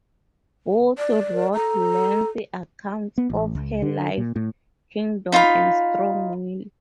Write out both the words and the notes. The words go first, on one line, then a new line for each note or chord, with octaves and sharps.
Both wrote lengthy accounts of her life, kingdom, and strong will.
D5
A#4
A4 A#5
B3
A1
C#2
D3
A#2
A2
D#4 F4 F5 B5